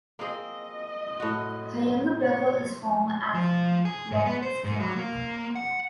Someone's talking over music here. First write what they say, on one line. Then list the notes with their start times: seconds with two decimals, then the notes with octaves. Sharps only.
Her younger brother is former athlete Lawrence Clarke.
0.19 A#3 C4 G#4 D#5
1.20 A2 F#4
2.21 C#5
3.34 F3
3.85 G#4
4.12 G#2
4.26 B3
4.42 C5
4.64 G#2
4.80 F#3
4.96 A#3
5.55 F#5